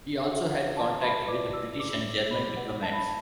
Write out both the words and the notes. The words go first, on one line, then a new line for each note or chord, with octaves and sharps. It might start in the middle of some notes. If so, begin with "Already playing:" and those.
He also had contact with British and German diplomats.
E5
D4 F#4 A4 D5 F#5
F#5
A5
B5
E4 B4 D5 D6
E6
D6
E4 B4 D5 B5
F#5
A5
B5
A5